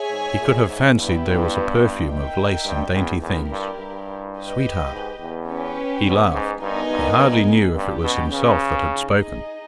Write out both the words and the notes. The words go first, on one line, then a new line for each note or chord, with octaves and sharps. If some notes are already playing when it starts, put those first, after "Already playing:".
He could have fancied there was a perfume of lace and dainty things. "Sweetheart!" He laughed--he hardly knew if it was himself that had spoken.
Already playing: G#4 C#5 E5 G#5
G#2
A#2
G#2
G2 B3 E4 G4 B4
G2
D#4 A#4 E5 G5
G2
E2
E2 E4 G4 A#4
G2
G2
G4 B4 D#5
G#2
E2
C#4 G4 B4
B2
G#2
G2 B3 D#4 A#4 D#5 G#5
G2
G2
G2 C#4 G4 B4
B2
C#3
D#4 G#4 D#5